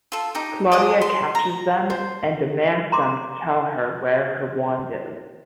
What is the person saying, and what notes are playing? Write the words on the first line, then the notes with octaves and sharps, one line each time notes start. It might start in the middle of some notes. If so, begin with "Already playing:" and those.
Claudia catches them, and demands them to tell her where her wand is.
F4 A4
D#4 G4
D5 D#5 G#5 D#6
C6
A#5
C5
A#5 C6 D6